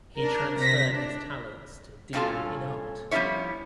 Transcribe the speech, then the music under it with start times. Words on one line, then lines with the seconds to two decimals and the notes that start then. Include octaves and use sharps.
He transferred his talents to dealing in art.
0.18 D4 A#4
0.59 C3 A#6 B6
0.91 D4
2.13 G2 A#2 C#4 F4 A4 A5
3.11 F3 G3 B3 C#4 E4 C#5